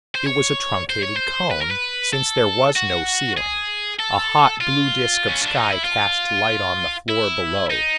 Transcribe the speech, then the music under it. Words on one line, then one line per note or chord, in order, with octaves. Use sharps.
It was a truncated cone, since there was no ceiling; a hot blue disk of sky cast light on the floor below.
C5
C#5
C5
C#5
C5
B4
A#4
B4
A4
F#4
G#4
A4
F4
C#4
D4
D#4
E4
F4
E4
D#4